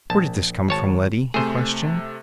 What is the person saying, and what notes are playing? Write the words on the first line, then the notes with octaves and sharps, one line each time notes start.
"Where did this come from, Letty?" he questioned.
A#1 A5
G#1 C#5 A5
C3 A3 G#4 C5